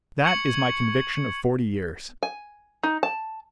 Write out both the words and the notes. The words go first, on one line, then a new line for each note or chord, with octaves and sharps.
That is my conviction of forty years.
C#6 G#6 C#7 F#7
G#5
D#4
A5